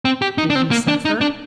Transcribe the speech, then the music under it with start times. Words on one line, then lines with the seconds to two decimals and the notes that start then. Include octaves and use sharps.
Did he suffer?
0.05 C4
0.22 G4
0.38 D#4
0.50 D4
0.55 C4
0.71 A#3
0.88 D4
1.05 D#4
1.21 D4